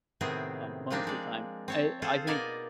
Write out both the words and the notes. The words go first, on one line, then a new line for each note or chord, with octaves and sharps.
uh, most of the time. Eh, I think
A2 C3 D#3 B3 C4 G#4
F3 G#3 A#3 C4 D4 D#4
G#3 D5
C4 C#5 A5
F4 G#4 A4 C5
B2 A#3 D#4 D5 D#5 G#5